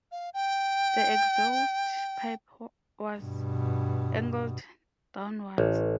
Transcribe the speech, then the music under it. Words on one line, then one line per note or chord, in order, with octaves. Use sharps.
The exhaust pipe was angled downwards.
F5
G5
G2 B2
A1